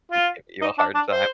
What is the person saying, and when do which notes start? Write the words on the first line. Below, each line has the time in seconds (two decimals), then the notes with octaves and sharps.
just give you a hard time.
0.11 F4
0.61 D#4
0.78 D4
0.94 D4
1.12 C5